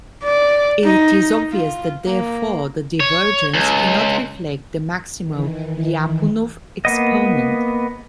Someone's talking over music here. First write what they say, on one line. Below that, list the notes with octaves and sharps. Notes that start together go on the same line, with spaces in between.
It is obvious that therefore the divergence cannot reflect the maximal Lyapunov exponent.
D5
D#4
F4
A#3
C#5
C#2
D#3 E3
A#3 B3 D#5